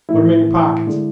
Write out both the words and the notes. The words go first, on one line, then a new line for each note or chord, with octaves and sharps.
"Put 'em in yo' pockets."
A2 E3 A3 E4
D3 G#3